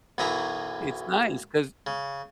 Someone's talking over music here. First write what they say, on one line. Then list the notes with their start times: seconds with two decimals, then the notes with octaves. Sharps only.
it's nice 'cause
0.18 B1 F#2 E3 G#4 E5 A#5
1.87 C#3